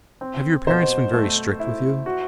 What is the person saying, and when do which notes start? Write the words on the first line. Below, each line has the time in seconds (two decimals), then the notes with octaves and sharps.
"Have your parents been very strict with you?"
0.21 C4
0.67 B2 C5
1.13 A3
1.60 E4
2.06 F#4